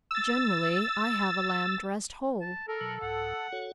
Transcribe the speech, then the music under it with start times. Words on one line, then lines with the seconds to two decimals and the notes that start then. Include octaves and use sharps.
"Generally, I have a lamb dressed whole."
0.11 E6 A6
2.41 A5
2.68 A4 A#4
2.81 B2 F#3
3.01 C2 G#2 F#5
3.52 F#4 A4 C#5